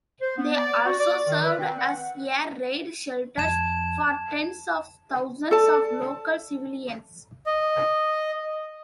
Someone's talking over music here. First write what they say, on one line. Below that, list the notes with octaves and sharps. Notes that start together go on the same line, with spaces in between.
They also served as air-raid shelters for tens of thousands of local civilians.
C5
B3
D5
F#4
D5
D#3
B4
C4
F#5
F2 A5 G#6 E7
A4 D5 A5
D#5